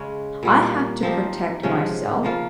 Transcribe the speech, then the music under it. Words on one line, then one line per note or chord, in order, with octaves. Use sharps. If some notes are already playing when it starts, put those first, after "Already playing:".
I have to protect myself.
Already playing: C#3 G#3 C#4
A#2 G3 A#3
F3 C4 D#4 G4
C3 F3 G#3 C#4
C#3 F3 A#3 F4